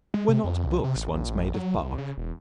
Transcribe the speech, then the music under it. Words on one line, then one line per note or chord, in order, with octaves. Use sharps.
Were not books once made of Bark?
G#3
C3
F2
C2
C3
A1
A#1
A1
F#3
C2
C#3
E1